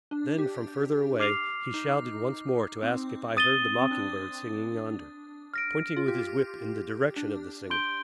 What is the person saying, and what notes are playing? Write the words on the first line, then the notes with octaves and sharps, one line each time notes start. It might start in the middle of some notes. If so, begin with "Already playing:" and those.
Then, from further away, he shouted once more to ask if I heard the mocking-bird singing yonder, pointing with his whip in the direction of the singer.
D4
G4
D6 F6 C7 F7
D#4
C4
D#6 A6 D#7 G7
C4
D4
F6 A#6 D7
F4
G4
D4
C6 G6 D7 G7